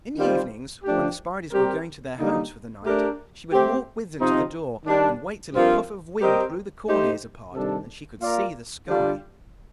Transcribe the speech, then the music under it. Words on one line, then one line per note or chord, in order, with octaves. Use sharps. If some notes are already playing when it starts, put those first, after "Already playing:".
In the evenings, when the spiders were going to their homes for the night, she would walk with them to the door and wait till a puff of wind blew the corn ears apart, and she could see the sky.
D#3 G3 C4 F4 C5
F3 A3 D4 G4
G3 C4 G4 A#4
D3 G3 A#3 D#4
A3 D4 G4 A#4
A3 C4 G4
C3 F3 C4 D#4
D#3 G3 D4
G2 F3 C4 F4 A#4
G3 C4 G4 A#4 D#5
A3 D#4 G4 C5
C3 D#3 G3 D4 A4
A#3 F4 A#4 D5 F5
D3 G3 D4 F4